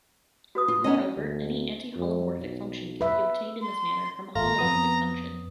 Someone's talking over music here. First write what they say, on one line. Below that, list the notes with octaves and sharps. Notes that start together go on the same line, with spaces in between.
Moreover, any antiholomorphic function can be obtained in this manner from a holomorphic function.
F#4 B4 D#6
F4
B3 C#4 D#5
D2
F2
B1
B4 E5
C6
G#1 A3 F4 A#5
F2 B3 D#6